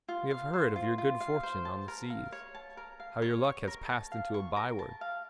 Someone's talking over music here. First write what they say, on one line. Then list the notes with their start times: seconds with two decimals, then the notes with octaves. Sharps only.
We have heard of your good fortune on the seas--how your luck has passed into a byword.
0.09 F4
0.31 F5
0.53 C5
0.76 F4
0.98 F4
1.20 F5
1.43 C5
1.65 A5
1.88 A#4
2.10 F5
2.32 C#5
2.55 A5
2.77 A#4
3.00 F5
3.22 C#5
3.45 C#6
3.67 A#4
3.89 A5
4.12 F5
4.34 C#6
4.57 A#4
4.79 A5
5.01 F5